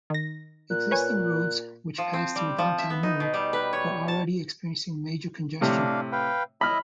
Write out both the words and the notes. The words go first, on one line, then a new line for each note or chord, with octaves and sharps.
Existing roads, which passed through downtown Newark, were already experiencing major congestion.
D#3 A#6
A#2 F#6
B4 C#5 G#5
F3
C4
G3
F3
E5
B3
D#4
B2
G3
B4
C#5
A5
A2 C3 D4 F5
B4 F5 G5
E4 D#5 E5 B5 F6